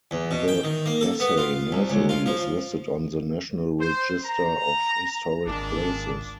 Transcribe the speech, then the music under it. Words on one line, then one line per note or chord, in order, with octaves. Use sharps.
The Bessey Nursery is listed on the National Register of Historic Places.
E2
B2
G5
D#3
A#3
A4
B3
F4
C2
C#2
F4
F3
C5
A#5
G#1 A#2 G#3 D4